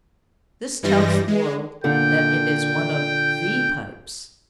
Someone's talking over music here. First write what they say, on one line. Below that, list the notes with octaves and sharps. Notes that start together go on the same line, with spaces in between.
This tells the world that it is one of THE pipes.
G2 E3 G3 A#6
G#3
A#2 D3 D4 G5